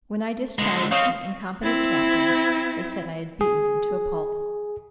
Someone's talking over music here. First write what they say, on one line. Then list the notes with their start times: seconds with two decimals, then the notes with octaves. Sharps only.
When I discharged an incompetent captain, they said I had beaten him to a pulp.
0.59 D3 G#3
0.92 C4 C#5 D#5 F5
1.63 C4 E4
3.41 G#4